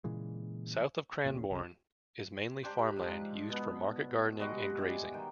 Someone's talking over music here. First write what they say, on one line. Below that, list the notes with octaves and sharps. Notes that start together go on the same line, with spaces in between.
South of Cranbourne is mainly farmland, used for market gardening and grazing.
A#2 C#3 E3 G#3
E1 A#2 C#3
C2 C#3
D4 G4 C5
G#2 F3
B2 B3
G3 G#3 F#4 D#5
D5 E5 G#5
D#3 G5